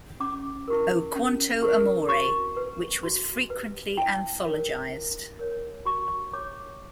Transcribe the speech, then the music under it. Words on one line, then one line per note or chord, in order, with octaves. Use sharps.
O quanto amore, which was frequently anthologised.
C#4 D6
E4 G4 A#4
C#4
E4 G4 A#4
F#4 C#6
B4
F#4
B4
E4 G5
A#4 C#5
E4
A#4 C#5
F#4 C#6
C#5 D6